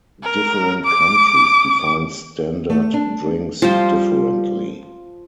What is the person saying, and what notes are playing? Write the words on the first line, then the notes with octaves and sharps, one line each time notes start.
Different countries define standard drinks differently.
A#4
D6
A3
D4
F3 G3 F4 C5